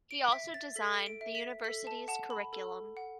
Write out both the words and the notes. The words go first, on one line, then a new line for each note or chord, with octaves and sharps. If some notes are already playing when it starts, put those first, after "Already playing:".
He also designed the university's curriculum.
D7
E5 B6
A6
A4 B6
D7
E5
B6
A4 B6
A5
F#5 A5
B5
A4
F#5